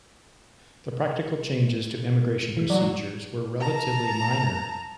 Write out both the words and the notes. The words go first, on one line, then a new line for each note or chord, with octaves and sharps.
The practical changes to immigration procedures were relatively minor.
E3
F#3 D5
A5 A#5